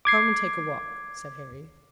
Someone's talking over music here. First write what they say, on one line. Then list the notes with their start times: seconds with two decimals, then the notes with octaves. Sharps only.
"Come and take a walk," said Harry.
0.05 D6 G#6 C7